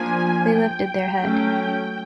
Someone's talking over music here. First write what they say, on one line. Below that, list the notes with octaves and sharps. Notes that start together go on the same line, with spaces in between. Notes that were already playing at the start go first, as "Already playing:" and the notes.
They lifted their head.
Already playing: F3 A#3 D4 G#5
G5
F#3 A3 C#4